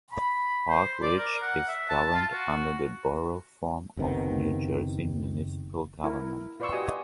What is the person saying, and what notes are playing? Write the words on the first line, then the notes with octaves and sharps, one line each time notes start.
Park Ridge is governed under the Borough form of New Jersey municipal government.
B5
C5
D5
A#4
F#5
E5
A5
F4
F#4
F#1 C3 D#3 B3
E4 A#4
F4 B4 D5 C6 C#6 E6
F#4 G4 D#5 G#5 D#6